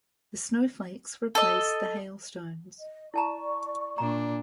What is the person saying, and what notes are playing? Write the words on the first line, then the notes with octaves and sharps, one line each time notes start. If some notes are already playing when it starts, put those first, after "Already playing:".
The snowflakes replaced the hailstones.
A4 D#5
D#5
E4 D5 A5 A#5 C#6
A#2 D4 A#5